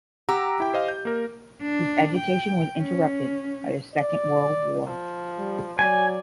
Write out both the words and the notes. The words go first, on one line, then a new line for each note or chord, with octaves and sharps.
His education was interrupted by the Second World War.
G4 F#5 A#5 E6
E4 G5
C5 D#5 F5
G6
A#3 A#4
D4
G5
C#4
D5
F3
G3
F#3 D5 G#5